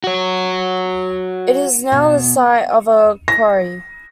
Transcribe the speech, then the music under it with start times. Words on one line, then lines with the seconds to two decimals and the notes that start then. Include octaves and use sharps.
It is now the site of a quarry.
0.04 F#4 C#5
1.92 B2
3.28 A#6